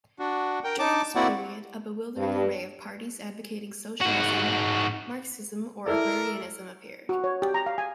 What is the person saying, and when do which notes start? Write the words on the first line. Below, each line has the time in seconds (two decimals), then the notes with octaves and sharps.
During this period, a bewildering array of parties advocating socialism, Marxism or agrarianism appeared.
0.19 D4 F#4
0.64 A#4 G5
0.79 D#4 A5 D6
1.15 A#3 C4 E4 F#4 D5 F#5
2.17 G2
4.01 G#2 F#4
5.86 E4 A4 A#4 D5
7.09 F#4
7.24 C#5
7.42 G4
7.54 A#5
7.66 F5
7.78 G#5